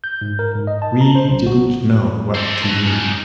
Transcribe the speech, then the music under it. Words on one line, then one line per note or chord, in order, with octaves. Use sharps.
We didn't know what to do.
G6
G#2
A#4
G#2
D#5
A5
A#5
C5
B1
F#4
A4 C5
B4 A5
C#4 D#4